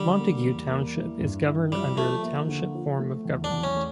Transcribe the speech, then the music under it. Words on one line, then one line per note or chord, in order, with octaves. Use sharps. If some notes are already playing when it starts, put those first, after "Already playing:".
Montague Township is governed under the Township form of government.
Already playing: D3 G3
A#3
E2
A#3
E4
G2
E4
F3 G3
F3 A3
A#3
D3
F3
A3
E2
D4
E2
C#4
A3